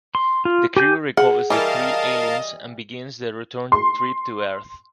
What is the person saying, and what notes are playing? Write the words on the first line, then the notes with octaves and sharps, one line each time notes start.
The crew recovers the three aliens and begins the return trip to Earth.
C6
F4
G4 G#5 G6
G#4 F#5
E3 G3 A#4 D#5 F5 A5
C6